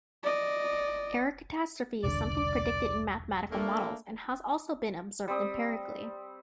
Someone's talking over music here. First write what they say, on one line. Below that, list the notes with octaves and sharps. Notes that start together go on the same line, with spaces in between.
Error catastrophe is something predicted in mathematical models and has also been observed empirically.
D5 D#5
E1 C2 D3 D5
A3 A#3 D4
G3 C4 D#6